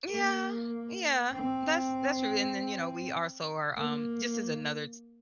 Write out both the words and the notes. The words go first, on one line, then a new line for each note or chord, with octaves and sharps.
Yeah, yeah. That's that's true, and then, you know, we also are, um just as another,
A#3
C4
A#3